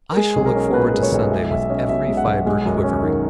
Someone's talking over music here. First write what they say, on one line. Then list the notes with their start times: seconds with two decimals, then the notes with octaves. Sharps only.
'I shall look forward to Sunday with every fibre quivering.
0.11 A#4
0.17 G#3 G#4
0.36 B1
0.46 A#4
0.55 C#4
0.74 A#2 B4
0.93 G#3
1.03 C#5
1.12 B1
1.31 G#3 E5
1.51 B1 E5
1.70 C#4 D#5
1.89 B2 E5
2.08 G#3
2.17 F#5
2.27 B1
2.46 G#3
2.66 F#2
2.84 C#4
3.03 D#3